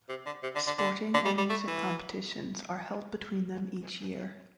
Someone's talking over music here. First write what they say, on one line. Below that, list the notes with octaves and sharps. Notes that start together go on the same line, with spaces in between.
Sporting and music competitions are held between them each year.
C3
D3
C3
D3
D3
D3
D3
G3
G3
A3
E3